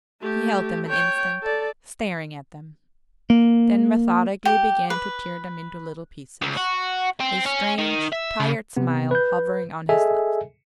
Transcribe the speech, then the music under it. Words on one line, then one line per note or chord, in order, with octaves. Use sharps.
He held them an instant, staring at them, then methodically began to tear them into little pieces, a strange, tired smile hovering on his lips.
A3 G4
C#5 G5
A4 D5
A#3
G4
B4
C#2
F#4
C4
C#4
D#3
E5
C#3
C3 B3
B4 G6
G#4 A4 D#5 E5 G#5